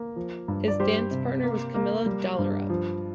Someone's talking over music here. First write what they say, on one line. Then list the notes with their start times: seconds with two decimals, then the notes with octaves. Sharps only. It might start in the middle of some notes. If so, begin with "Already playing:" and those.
His dance partner was Camilla Dallerup.
Already playing: A#3
0.16 F3
0.48 G2
0.68 D5
0.80 G3 G4 C5
1.11 C3
1.43 A#3
1.74 A#3
2.06 G3
2.38 G2
2.70 F3